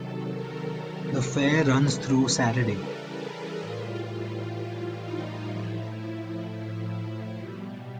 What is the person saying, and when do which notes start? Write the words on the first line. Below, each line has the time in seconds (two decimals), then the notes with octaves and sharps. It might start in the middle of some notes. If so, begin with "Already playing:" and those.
The fair runs through Saturday.
Already playing: C3 D#3 F#3 A4
0.33 A#4
0.80 A4
1.74 C#3 E3 G3 B4
2.21 A#4
2.68 A4
3.15 G#4
3.61 A2 E3 G3 F4
5.02 D#4
5.49 A2 F3 E4
7.37 B2 G3